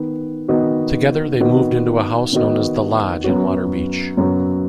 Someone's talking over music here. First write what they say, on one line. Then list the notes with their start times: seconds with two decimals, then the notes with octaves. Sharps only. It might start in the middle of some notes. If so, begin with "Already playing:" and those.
Together they moved into a house known as The Lodge in Waterbeach.
Already playing: D#3 B3
0.48 D#3 B3 F#4 D#5
1.40 D#3 B3 F#4 D#5
2.33 D#3 B3 F#4 D#5
3.24 F#2 F#3 B3 F#4
4.17 F#2 F#3 B3 F#4